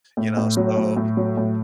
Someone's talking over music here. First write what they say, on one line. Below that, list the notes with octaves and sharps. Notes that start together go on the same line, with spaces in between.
you know, so,
A2
A2
F#3
A2
A2
F#3
A2